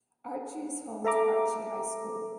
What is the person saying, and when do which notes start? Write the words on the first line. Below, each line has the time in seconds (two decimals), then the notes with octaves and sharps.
Archie is home to Archie High School.
1.04 A4 E5 A#5 D6